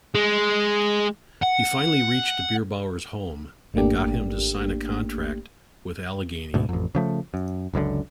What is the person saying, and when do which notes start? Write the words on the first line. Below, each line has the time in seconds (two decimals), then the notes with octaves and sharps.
He finally reached Bierbauer's home and got him to sign a contract with Allegheny.
0.15 G#3
1.43 F#5
3.74 G#1 A3 A#3 D4 G4
6.54 D2 G#2 B2
6.69 A1 F2
6.95 C#3 F3 A3
7.34 F#2
7.74 F#1 C#2 F#2 D3